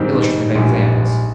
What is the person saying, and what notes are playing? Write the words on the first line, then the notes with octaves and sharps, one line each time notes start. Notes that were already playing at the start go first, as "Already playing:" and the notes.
Illustrative examples.
Already playing: G#2 D#3 G3 C4 D#4
A#1 G#2 G3